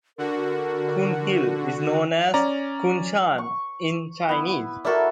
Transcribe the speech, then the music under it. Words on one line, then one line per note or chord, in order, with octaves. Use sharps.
Kun Hill is known as Kunshan in Chinese.
D3 F#4 A#4
C#4 D5 A#5
C#6
B3 E4
E4 F#4 A4 A#4 D5